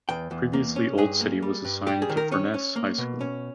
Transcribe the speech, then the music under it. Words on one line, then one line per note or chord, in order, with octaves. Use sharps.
Previously Old City was assigned to Furness High School.
E2 G5
E2
A#3
C#4
G2 G#4
A#3
G3
G2
G3 G4
G#4
D#3
A#4
C#4 C#5
C#4
A#3
B2
C#4